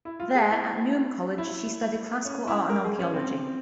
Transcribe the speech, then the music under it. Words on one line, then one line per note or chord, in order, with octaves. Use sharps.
There, at Newnham College, she studied Classical Art and Archaeology.
E4
F4
G#4
E4
E4
C#4
E4
A#4
G#4
C#4
C4